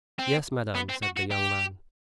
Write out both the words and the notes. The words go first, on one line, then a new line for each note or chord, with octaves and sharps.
"Yes, madame," said the young man.
C4
B3
C4
F#4
F#4
G4